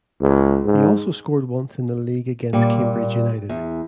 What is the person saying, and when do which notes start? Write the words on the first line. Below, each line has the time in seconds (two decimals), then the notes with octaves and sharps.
He also scored once in the league against Cambridge United.
0.21 C#2
0.66 G#2
2.53 A#2 G3
3.49 E2